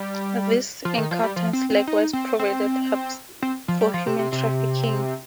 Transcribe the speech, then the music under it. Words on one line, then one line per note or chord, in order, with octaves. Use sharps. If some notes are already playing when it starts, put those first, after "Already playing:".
These encounters likewise provided hubs for human trafficking.
Already playing: G3
F3
D#3
F3
G3
F3
C4
C4
D#4
C4
C4
C4
F3
G3
F3
C3
C3
C3